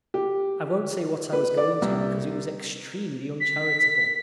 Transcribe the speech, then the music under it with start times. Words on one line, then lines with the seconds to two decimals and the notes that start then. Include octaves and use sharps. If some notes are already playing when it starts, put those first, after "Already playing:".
I won't say what I was going to because it was extremely uncharitable.
0.14 G4
1.33 B4
1.57 D5
1.82 C2
3.40 B6